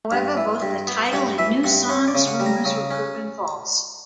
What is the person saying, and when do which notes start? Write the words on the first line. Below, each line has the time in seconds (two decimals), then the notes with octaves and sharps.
However, both the title and new songs rumors were proven false.
0.12 G2
0.37 E3
0.62 G2
0.87 B3
1.05 G5
1.12 G2 F#5
1.38 E3 E5
1.63 G2 F#5
1.89 C#4 F#5
2.08 D5
2.15 C#3
2.27 F#5
2.40 G3
2.46 A#5
2.65 C#3
2.91 C#4